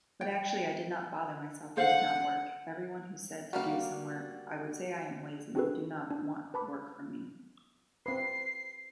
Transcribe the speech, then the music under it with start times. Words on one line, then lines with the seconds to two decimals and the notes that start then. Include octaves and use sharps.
But actually I did not bother myself and did not work, everyone who said to do some work, I would say I am lazy, do not want work from me.
0.21 G5
1.77 A4 C5 F5 F#5
3.53 G3 A#3 F#4 F5
5.55 C4 D4 F#4 G#4 A4 B4
6.11 D4
6.54 B4 A5 B5 D6
8.06 C4 B4 C7